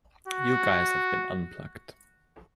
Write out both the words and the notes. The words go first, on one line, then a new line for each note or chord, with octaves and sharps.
You guys have been unplugged!
F#4